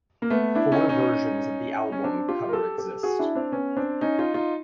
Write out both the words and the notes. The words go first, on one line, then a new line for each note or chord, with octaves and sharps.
Four versions of the album cover exist.
A#3
A3 B3
D4 E4
C#4 D#4
C#4 D#4
C#4
C4 D4
F4 G4
A#4
G4 A4
G4 A4
F#4 G#4
D4 E4
C4 D4
B3 C#4
C4 D4
C#4 D#4
D#4 F4
D#4 F4